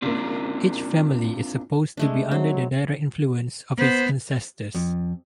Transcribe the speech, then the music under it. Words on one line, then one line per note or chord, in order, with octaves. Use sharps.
Each family is supposed to be under the direct influence of its ancestors.
C#3 A#3 C4 D4 F4
G#3 A3 D4
F#3 C4
B3 C5
F2